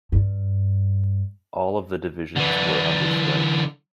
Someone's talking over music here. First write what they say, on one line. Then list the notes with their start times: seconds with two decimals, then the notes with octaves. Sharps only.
All of the divisions were understrength.
0.12 G2
2.36 D3 E3